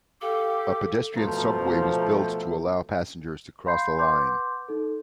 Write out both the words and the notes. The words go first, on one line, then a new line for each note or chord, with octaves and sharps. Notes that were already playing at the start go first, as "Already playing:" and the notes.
A pedestrian subway was built to allow passengers to cross the line.
G4 A4 F5 D6
B2 F3 A3 C5 A#5
F5 B5 C6 G6 C7
B4 F#5 C6 D6 G6
D#4 A4